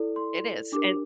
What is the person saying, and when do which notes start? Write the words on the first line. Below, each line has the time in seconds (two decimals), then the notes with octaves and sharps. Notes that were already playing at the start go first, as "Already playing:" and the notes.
It is, and
Already playing: E4 A4 D5
0.16 C6
0.72 D4 G4 A#4 D6